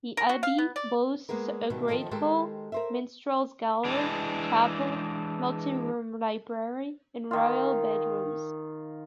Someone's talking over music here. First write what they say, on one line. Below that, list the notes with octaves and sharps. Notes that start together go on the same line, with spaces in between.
The abbey boasts a great hall, minstrels' gallery, chapel, multi-room library, and royal bedrooms.
A#4
F#4
F5
B3
D5
G#3 A#3 B3 G#4 A#4
B2 D#3 E3 G3
D#3 F3 F#3 G#3 A4 D#5
D#3 G#3 G4 A4 A#4 C5
A#4 C5 E5
E3 G#3 D4
D#3 F4